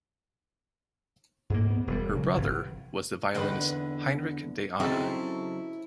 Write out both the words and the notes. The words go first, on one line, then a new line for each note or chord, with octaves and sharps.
Her brother was the violinist Heinrich de Ahna.
G#2 A#3
B3
E1 G3
C#3 F#3
G1 C3 E3
E2 D3 D#3 C4 B4
C#3 F#3 C4 D#4 E4 A4